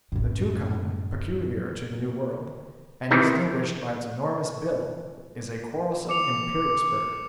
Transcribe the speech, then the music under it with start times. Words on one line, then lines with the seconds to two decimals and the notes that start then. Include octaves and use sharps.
The toucan, peculiar to the New World, and distinguished by its enormous bill, is a quarrelsome, imperious bird.
0.12 F#2 A2
3.11 C3 D#3 E3 C4
6.09 D6 C#7 F7